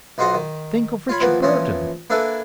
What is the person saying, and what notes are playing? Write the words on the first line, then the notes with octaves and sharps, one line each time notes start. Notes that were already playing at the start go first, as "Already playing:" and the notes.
Think of Richard Burton!
B1 D#4 F4 F#4 C5 D#5
D#3
F4 C#5 B5
A#2 E3 F3 B3
A#2 E3 F3 C#4 D#6
A#3 D4 A4 B4 E5 G#5